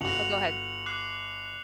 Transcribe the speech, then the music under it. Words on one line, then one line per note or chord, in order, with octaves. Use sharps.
Oh, go ahead.
G1 F#4 C#7 F7 F#7
D6 F#6 C7